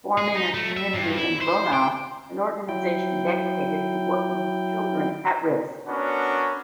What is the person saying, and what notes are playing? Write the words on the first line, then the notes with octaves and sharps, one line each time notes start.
Forming a community in Gronau, an organization dedicated to working with children at risk.
G#4
D#4
A3
E5
G2
E4
C5
G5
F#3 E4 G5
B3 C#4 D4 F#4 A#4